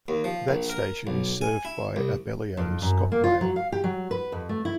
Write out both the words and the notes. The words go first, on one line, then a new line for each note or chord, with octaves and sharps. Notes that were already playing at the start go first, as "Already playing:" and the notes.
That station is served by Abellio ScotRail.
D#2
F3
A#1
A#4
B1
G#5
E4
C2
F2
F#2
A#3
F4
F#3
F5
G4
F#3
B4
F2
A3
E4